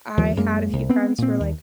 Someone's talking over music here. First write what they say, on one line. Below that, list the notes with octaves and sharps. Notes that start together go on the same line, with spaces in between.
I had a few friends who were like,
D#2 F3 G3
F#2 G#3 A#3
C2
B3 C4
A#2 C4
D#2